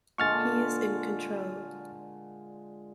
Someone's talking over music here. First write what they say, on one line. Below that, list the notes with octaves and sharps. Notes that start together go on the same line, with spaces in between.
He is in control.
A#2 D3 G#3 C#6 F6 A6